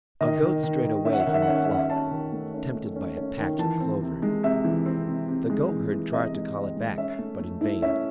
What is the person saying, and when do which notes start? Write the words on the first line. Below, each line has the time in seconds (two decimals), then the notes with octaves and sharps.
A Goat strayed away from the flock, tempted by a patch of clover. The Goatherd tried to call it back, but in vain.
0.21 D#3 D#5
0.42 D#3
0.63 D#3
0.84 D#3
1.05 C#4 E5
1.13 F#5
1.19 E5
1.26 D#3 F#5
1.34 E5
1.42 F#5
1.48 C#4 E5
1.57 F#5
1.64 E5
1.69 C#4 F#5
1.78 E5
1.90 C#4 A5
2.11 D#3
2.32 A3
2.54 C#4
2.74 A3
2.96 C#4
3.17 C#4
3.38 D#3
3.59 E3 A5
3.80 C4
4.01 C3
4.22 G#3
4.43 C3 E5
4.64 E3
4.86 C4
5.07 C3
5.28 C3
5.50 G#3
5.71 E3
5.92 E3
6.12 C3 D#5
6.34 G#3
6.55 C4
6.76 G#3
6.97 C#4 E5
7.19 A3
7.39 A3
7.61 E4
7.82 C#4 E5